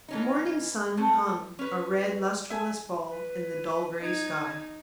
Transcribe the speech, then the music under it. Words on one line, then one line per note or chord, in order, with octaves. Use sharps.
The morning sun hung, a red, lustreless ball, in the dull grey sky.
E3 C#4 D#4
A3 C4
C#4 B4
E5 G#5
B4
D#4 G#6